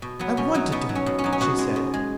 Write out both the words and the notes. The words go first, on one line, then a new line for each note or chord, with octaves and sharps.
"I want to do it," she said.
B2
F#3 B3
B2 C#4
F#3 D#4
B2 B3
F#3
C#4
B2
C#4
F#3 D#4
C#4
B2 F#4
G#3
B2
G#3